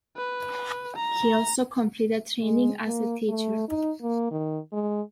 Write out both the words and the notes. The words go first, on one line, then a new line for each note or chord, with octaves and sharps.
He also completed training as a teacher.
B4
A#5
G#3
A#3
A3
D#4
A#3
D#3
G#3